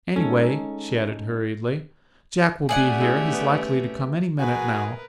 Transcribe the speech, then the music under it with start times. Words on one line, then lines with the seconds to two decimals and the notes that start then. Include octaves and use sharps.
"Anyway," she added hurriedly, "Jack will be here; he's likely to come any minute now."
0.16 G#3 C#4 D#4 A4
2.69 A3 C#4 G4 G#4 D5 F#5
3.00 G#3 E4
3.32 B3
4.39 F#4 G#4 A#4 B4 G#5